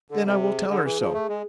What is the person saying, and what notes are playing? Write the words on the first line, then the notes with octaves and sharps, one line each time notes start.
"Then I will tell her so."
D3 A4
C3 A4
G#4
D3
E3
F3
A3
G#3